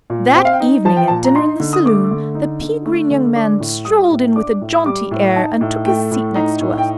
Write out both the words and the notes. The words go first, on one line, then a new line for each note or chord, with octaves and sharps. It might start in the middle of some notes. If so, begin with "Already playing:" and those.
That evening, at dinner in the saloon, the pea-green young man strolled in with a jaunty air and took his seat next to us.
A#2
C4 G5
F5
G5
D#4
F3 A5
G5
A#2 A5
A#5
D#4 C6
D3
D#6
A3 D6
D3
D#4
D3
A3
D3
D4 D6
A2
G3 D#6
A2
D4 D6
A2
D#6
G3 D6
A2
D#4 A5
A2
A3 G5
A2
D#4 A#5
A2
G5